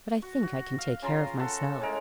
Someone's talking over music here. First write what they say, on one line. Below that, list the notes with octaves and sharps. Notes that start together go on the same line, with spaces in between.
But I think I can take care of myself.
F#4
F#4
F5
C#3 F4 A#5 C6
A4 F#5
A2 G#3 A#4